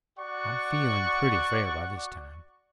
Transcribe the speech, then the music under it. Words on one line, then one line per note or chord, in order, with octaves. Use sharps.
"I'm feeling pretty fair by this time."
F#4 D5 F#5 C#6